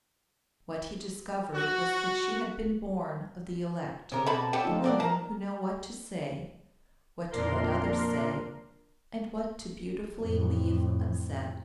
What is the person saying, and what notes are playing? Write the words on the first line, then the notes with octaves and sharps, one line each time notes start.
What he discovered was that she had been born of the elect,--the women who know what to say, what to let others say and what to beautifully leave unsaid.
F#4
C#3 C4 G4 A#4
B2 D3 B3 A5 B5
G3 B3 C#4 G4 A4
F3 D#4 F4
G4 A4 D5 F#5
A#4 A5 A#5
F2 A#2 D4 A#4 C6
F2 A2